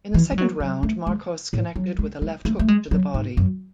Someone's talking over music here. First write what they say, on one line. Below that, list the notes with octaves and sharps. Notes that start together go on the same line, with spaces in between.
In the second round, Marcos connected with a left hook to the body.
E3
G#3
F#3
F#3
A3
G#3
A2
F#3
G#3
G#3
A3
A3
G#3
F#3
G#2
F#2